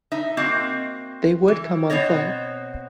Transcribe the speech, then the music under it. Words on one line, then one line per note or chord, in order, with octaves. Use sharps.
They would come on foot.
D#4 E5
A#3 C4 F#4 D#5
E3
B2 B3 C4 C#5 D#5